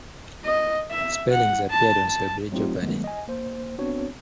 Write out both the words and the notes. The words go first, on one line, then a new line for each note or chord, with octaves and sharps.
Spellings appeared on Celebrity Jeopardy!
D#5
E5
F#5
A5
A5
F#3 A3 C4 D#4 F4 G4
D#3 F#3 G#3 A3 B3
D#5 G#5
A#3 C5
B3 C4 D4 F#4 C#5